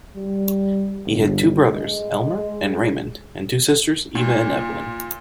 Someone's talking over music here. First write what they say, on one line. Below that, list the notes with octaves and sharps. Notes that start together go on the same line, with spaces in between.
He had two brothers, Elmer and Raymond, and two sisters, Eva and Evelyn.
G3
G1
G#3
A#2